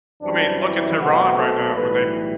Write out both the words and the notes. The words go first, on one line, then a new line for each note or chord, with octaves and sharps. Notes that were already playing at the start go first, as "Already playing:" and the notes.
I mean, look at Tehran right now when they
F#2 E3 G3 C4 D4
E4
B1 B2 A3 C4 F#4
A4
B1 A2 E3 G3 B4